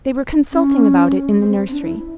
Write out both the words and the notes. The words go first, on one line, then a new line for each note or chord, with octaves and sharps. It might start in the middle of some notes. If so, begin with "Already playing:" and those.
They were consulting about it in the nursery.
C#4
C4
C4
D4
E4